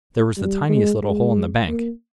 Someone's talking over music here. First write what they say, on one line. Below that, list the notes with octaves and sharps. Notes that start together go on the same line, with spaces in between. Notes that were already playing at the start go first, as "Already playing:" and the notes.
There was the tiniest little hole in the bank.
G3
G#3
G#3
A#3